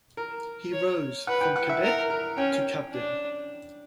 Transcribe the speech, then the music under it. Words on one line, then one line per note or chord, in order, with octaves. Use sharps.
He rose from Cadet to Captain.
A#4
C#5
B4 F#5
G5
F#5
E5
A#4
A#4
C#4 G5
D4